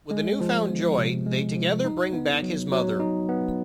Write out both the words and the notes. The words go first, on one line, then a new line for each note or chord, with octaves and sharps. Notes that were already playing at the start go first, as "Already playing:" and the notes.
With a newfound joy, they together bring back his mother.
G#3
F3
B3
C3
G#3
F3
D#4
B3
F#3
F#3
D#4
B3